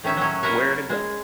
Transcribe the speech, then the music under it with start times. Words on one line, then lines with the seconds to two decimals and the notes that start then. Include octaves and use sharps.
where to go,
0.03 A2 D#3 C#4 E5
0.17 F#3 C#4
0.43 F#4 A#4 B4 C#5
0.90 G#3